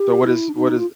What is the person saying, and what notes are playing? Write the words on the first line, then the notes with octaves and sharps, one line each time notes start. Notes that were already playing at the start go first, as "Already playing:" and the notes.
So, what is what is
Already playing: G4
E4
D4
D#4
F4